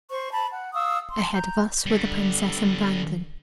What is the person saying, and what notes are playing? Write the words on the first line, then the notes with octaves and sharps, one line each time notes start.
Ahead of us were the princess and Brandon.
C5 C#6
A5 B5
F#5
F5 C#6 D#6 E6
C6
A#5 G6
D3 G3